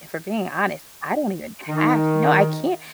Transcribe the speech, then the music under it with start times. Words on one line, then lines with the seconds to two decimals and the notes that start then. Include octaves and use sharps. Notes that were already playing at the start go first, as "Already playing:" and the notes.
If we're being honest, I don't even have no, I can't,
1.68 D#3